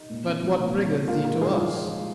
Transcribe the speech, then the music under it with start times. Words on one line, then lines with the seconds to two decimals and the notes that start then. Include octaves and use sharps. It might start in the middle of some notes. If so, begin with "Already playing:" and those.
But what bringeth thee to us?
Already playing: D#4
0.10 A#2
0.27 C4
0.43 F3
0.59 A#2
0.76 C4
0.93 A#2
1.08 A#2 F4 A#4
1.25 G#3 F4 A#4
1.41 F3 D#4 G#4
1.57 F3 F4
1.74 G#3
1.90 G#3